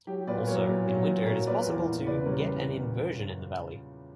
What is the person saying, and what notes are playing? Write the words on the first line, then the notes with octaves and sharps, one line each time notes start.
Also, in winter it is possible to get an inversion in the valley.
F#3 G4
A#2 B4 D5
F#3 A#4 C#5
A#2
F#3
A#2
F#3 A#4 C#5
A#2 B4 D5
E2
E2
C#3 B4 D5
G3 A#4 C#5